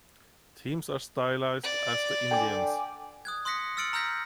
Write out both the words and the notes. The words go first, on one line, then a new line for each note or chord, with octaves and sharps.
Teams are stylized as the Indians.
D5
D3 G5 G#5 D6
D#6 F#6 G#6
C6 D#6 F#6 A#6 B6 C#7
E6 F6 A6 C#7 D7 F#7
A#5 E6 F6 G6 A#6 B6